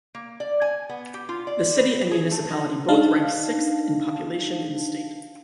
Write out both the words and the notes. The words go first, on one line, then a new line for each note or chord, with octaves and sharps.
The city and municipality both rank sixth in population in the state.
A#3
D5
G#5
B3
G4
F4
D5
B4
G#4
A3
D#4
D4 D#4 F5 A5